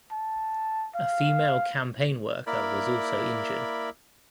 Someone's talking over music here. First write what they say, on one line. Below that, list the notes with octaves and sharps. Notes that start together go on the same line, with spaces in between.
A female campaign worker was also injured.
A5
F5
A#3 E4 A#4 D5 B5